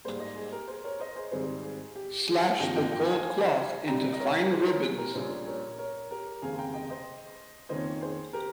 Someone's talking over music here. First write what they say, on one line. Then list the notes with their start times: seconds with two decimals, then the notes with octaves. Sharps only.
Slash the gold cloth into fine ribbons.
0.05 G#2 G3 A#3 G#4 C5
0.20 C5 D#5
0.36 G#4
0.52 G4 A#4
0.68 G#4 C5
0.84 A#4 C#5
1.00 C5 D#5
1.15 G#4 C5
1.31 G#1 G#2 G3 C4 G#4 C5
1.63 G#4
1.95 G4
2.27 G#4
2.60 G#1 G2 F3 A#3 D#5 G5
2.75 D#5 G5
2.91 D#5 G5
3.07 F5 G#5
3.86 C2 C3 G3 G5 A#5
4.13 D#5
4.19 A#4 C#5
4.51 G#4 C5
4.66 A#4 C#5
4.83 G#4
4.98 G4 A#4
5.14 A#1 A#2 G3 C#4 G#4 C5
5.47 A#4 C#5
5.78 A#4 C#5
6.11 G4 A#4
6.42 F1 D#2 C#3 G#3 C4 F5 G#5
6.58 G5 A#5
6.73 D#5 G5
6.89 C5 D#5
7.69 F2 D#3 A#3 C#4 C5 D#5
8.01 G#4 C5
8.33 G4 A#4